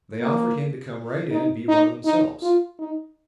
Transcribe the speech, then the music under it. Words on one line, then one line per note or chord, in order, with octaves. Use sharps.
They offered him to come right in and be one of themselves.
A#3
D#4
D#4
D#4
F4
D#4